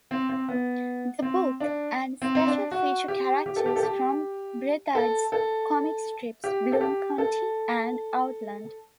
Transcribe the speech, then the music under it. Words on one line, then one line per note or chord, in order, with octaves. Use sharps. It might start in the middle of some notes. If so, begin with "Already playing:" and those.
The book and special feature characters from Breathed's comic strips "Bloom County" and "Outland".
C4
C4
B3
C4
D4
C4
C4
D4
F#4
G4
G4
A4
G4
A4
G4
A4
A4
G4
A4
G4
A4